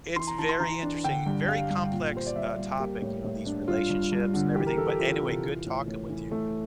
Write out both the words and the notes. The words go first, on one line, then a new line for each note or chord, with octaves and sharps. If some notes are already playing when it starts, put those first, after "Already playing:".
It's very interesting, very complex, uh, topic, you know, these relationships and everything. But anyway, good talking with you.
E3 C6
A#5
E3 A5
C6
E3 A#5
D4
D3 G5
G2
G3 F5
G2
A#2
G3 C5
D5
G3 E5
G3
A#3 G4
A2
A2
D4
G2 F4
G2
G2
D3
E3 G4
A#4
E3 A4
G4
E3 F4
C3
E3
A2
A2
E3
A3